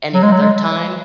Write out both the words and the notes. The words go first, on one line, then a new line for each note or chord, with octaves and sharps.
any other time.
F#3
G#3
F#3
G#3